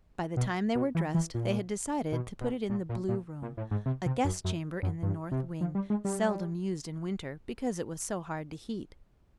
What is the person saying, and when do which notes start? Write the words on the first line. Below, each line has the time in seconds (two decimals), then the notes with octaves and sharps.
By the time they were dressed, they had decided to put it in the blue room, a guest-chamber in the north wing, seldom used in winter, because it was so hard to heat.
0.37 B2
0.75 B2
0.95 E3
1.14 E3
1.34 A#2
2.12 B2
2.41 B2
2.70 A#2
2.89 A#2
3.09 A#2
3.42 A#2
3.57 A2
3.71 G#2
3.86 C3
4.06 C3
4.25 F#2
4.45 F#2
4.83 F#2
5.03 G2
5.32 C3
5.61 F3
5.75 G3
5.90 G#3
6.05 G3